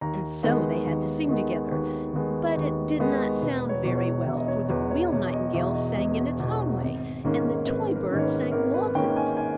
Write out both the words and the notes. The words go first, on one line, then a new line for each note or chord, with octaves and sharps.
And so they had to sing together; but it did not sound very well, for the real Nightingale sang in its own way, and the toy bird sang waltzes.
D#2 A#5
D#3 G#3 B3
D#2
D#3 G#3 B3
D#2 B4
D#3 G#3 B3
D#2
D#3 G#3 B3
E1 B4
C#5
E2 B2
C#5
E1 E5
D#5
C#5
E2 B2 B4
C#5
E1 C#5
D#5
E2 B2 E5
D#5
E1 D#5
E2 B2
G#1
G#2 D#3 A#3 C#4
G#1 B4
A#4
G#2 D#3 A#3 C#4
C#5
B4
G#1 A#4
B4
G#2 D#3 A#3 C#4 G5
G#5
G#5